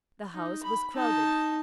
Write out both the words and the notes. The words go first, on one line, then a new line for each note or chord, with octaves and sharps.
The house was crowded.
D#4
B5
D#4 A5